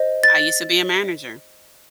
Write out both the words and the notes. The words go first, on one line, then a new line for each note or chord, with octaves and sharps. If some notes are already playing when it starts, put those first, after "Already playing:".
I used to be a manager,
Already playing: C5 D#5
A6